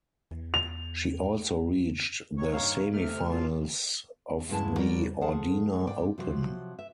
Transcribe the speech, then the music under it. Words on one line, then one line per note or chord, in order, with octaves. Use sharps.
She also reached the semifinals of the Ordina Open.
E2
F7
D#2 D#3 C#5
G2 F5 A#5
C3 A3 F6
F3 F4
E2 G2 C#3 G#3 E4 A5
G3 F#4 A#4 C#5 D5
F3 G#4 A4 F#5 A5
G#2 D5 G5
C3 F3 F#3
E5